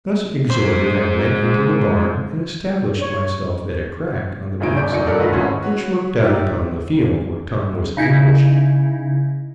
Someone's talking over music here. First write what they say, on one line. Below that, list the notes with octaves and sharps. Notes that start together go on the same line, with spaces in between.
Thus exhorted, I went into the barn and established myself at a crack on the back side, which looked out upon the field where Tom was ambushed.
G#3 C5
C#5
D#2 C#3 D#4 E4 D7
G1 D5 C#6 G6 D7
D#1 F#2 D#4 D5 C#7
G2 D4 A4 A#4
D#3 A3 F4 F#4 B4 D#5
D1 G#1 G#2 C#4 E4 C5
F#4 B4 C#5
D#4 F4 G4 E5 F#6 A6
C#3 D#4 E4